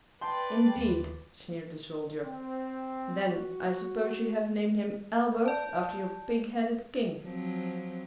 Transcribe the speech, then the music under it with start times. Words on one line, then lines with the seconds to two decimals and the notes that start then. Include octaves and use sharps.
"Indeed!" sneered the soldier; "then, I suppose you have named him Albert after your pig-headed King!"
0.21 B4 D5 G5 A5 C6
0.77 D#2
2.23 C4
3.24 F#4
5.46 D5 A5
7.23 F3 F#3 C4